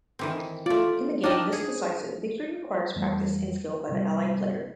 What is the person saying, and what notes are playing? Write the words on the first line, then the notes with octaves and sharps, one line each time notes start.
In the game this decisive victory requires practice and skill by the Allied player.
D#3 E3 C4
A3 F4 D5
D4 D#4 A#4 D#5 G5
G#4
F2 E3 G3 A3
G#1 C3 G3